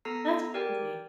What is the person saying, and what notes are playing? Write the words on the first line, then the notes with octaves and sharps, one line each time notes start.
That's crazy.
B3 A4 A#5 E6 A#6 C7
G4 A#4 D5 G5